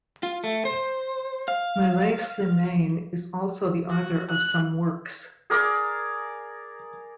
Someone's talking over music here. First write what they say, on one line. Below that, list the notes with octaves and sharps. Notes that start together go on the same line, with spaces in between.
Mulay Slimane is also the author of some works.
F4
A3
C5
F5
F#4
F#6
G#4 A#4 D5 D6